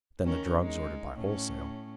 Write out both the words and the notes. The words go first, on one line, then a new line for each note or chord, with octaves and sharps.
Then the drugs ordered by wholesale.
D#3 C#4 A#4
G#3 D#4
A2 C#4